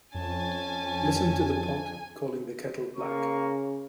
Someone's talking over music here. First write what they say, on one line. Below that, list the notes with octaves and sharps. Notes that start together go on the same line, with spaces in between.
Listen to the pot calling the kettle black.
F2 C#4 G#5 A5
C#3 A#3 A#4 C#6